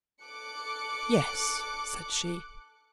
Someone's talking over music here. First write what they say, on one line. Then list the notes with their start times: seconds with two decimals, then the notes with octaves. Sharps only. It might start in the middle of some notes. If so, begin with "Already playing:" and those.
"Yes," said she.
0.23 A4 D6 F#6 C#7